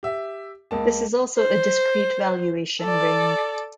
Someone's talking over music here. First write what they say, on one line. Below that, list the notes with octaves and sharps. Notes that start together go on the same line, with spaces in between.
This is also a discrete valuation ring.
G4 E5
C#2 A#3 A5
C5
A4 D5